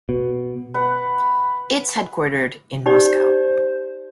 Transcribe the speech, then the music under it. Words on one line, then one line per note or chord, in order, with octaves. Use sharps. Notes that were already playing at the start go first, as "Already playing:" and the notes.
It is headquartered in Moscow.
B2
B4 F#5
D#4 G4 C5 D5